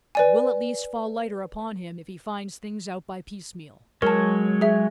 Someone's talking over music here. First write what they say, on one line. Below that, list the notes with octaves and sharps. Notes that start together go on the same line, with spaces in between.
It will at least fall lighter upon him if he find things out by piecemeal.
B4 D5 G#5
F#3 G#3 A#4 C#5 A5
G#4 E5